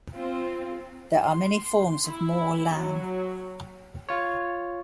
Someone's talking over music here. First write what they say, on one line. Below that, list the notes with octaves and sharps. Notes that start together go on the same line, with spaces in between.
There are many forms of "mor lam".
C4 F4
C6
E4
F#3
F4 C#5